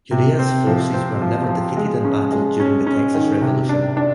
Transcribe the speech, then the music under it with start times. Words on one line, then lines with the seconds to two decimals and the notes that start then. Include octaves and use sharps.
Urrea's forces were never defeated in battle during the Texas Revolution.
0.11 C3
0.39 C4
0.67 F3
0.94 C4
1.22 F3
1.49 F3
1.77 G#3
2.05 C#4
2.32 G#3
2.60 C#4
2.87 C#4
3.14 D#3
3.41 C3
3.69 D4
3.97 D4